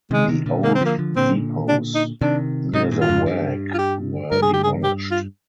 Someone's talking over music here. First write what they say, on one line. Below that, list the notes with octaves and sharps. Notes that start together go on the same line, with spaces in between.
The old depots near the Waag were demolished.
C3 D#3 G#3
C3 D#3
A#2 D3
C3 D#3 A#3
C4
D3 F3 A#3
D3 F3
A#2 D3 C4
D4
D#4
C3 D#3 D4
G#2 C3 D#4
G2 A#2
F4
F2 G#2
G2
F4
G4
G2 A#4
G#4
G4
G#4
G4
F4